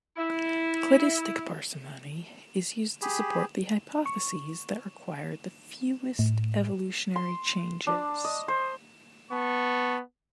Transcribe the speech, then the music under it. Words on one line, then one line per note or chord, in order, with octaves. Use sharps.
Cladistic parsimony is used to support the hypotheses that require the fewest evolutionary changes.
E4
G4 G#4 B5
C#6
A2
C6
D4
D#5
C5
B3 A5 C#6